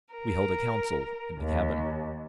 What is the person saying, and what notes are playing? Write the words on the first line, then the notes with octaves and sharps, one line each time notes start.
We held a council in the cabin.
A#4
D#2